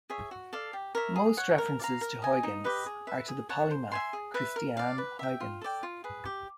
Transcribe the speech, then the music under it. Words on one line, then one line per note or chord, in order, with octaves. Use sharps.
Most references to "Huygens" are to the polymath Christiaan Huygens.
G#4 C#5 E5
F#4
A4 D5 F5
G4
A#4 C#5 E5
G#4
C#5 F#5
A#4
D5 F5 A#5
A#4
D#5 G#5
D#4
G4 B4 D#5
G#4
B4 E5
G#4
C#5 F#5 A5
C5
E5 G#5 C6
G#4
B4 E5
A#4
D5 F5
B4
E5 G5
F4
A4 D5 G5
F4
G#4 B4
G4